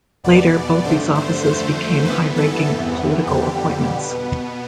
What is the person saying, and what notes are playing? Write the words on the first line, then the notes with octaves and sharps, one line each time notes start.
Later, both these offices became high-ranking political appointments.
E2 B2 B3 D5
G2 D3 A3 C5
C5
F2 D3 A3 C5
G2 E3 B3 B4
A4
E2 C3 E3 B3
F2 D3 G3 G4
B2 B3